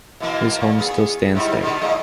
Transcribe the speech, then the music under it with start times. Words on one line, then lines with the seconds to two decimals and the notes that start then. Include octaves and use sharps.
His home still stands there.
0.20 B2 E3 A#3
0.59 A#2
0.78 B3 G#4
1.35 G#2 G3 E4
1.62 B2 D3
1.81 A#2 G#3 D#5